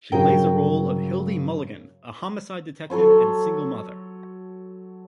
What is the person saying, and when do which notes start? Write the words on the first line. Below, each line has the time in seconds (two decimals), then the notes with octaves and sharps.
She plays the role of Hildy Mulligan, a homicide detective and single mother.
0.12 G2 C#3 F#3 G#4 A#4 G5
2.90 F#3 A4 C#5 C6